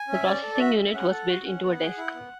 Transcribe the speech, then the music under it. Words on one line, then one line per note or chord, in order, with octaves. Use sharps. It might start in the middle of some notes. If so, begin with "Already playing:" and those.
The processing unit was built into a desk.
Already playing: G#5
C#4
E5
C#4 D5
A4
D5
F#4 E5
C#4
C#4 F#5
A4
F#4
C#4
B3
G#4
E4
B3